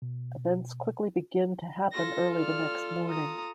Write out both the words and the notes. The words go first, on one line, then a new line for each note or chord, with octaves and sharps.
Events quickly begin to happen early the next morning.
B2
F4 A4 A#6
D5 F6
A#5 D#6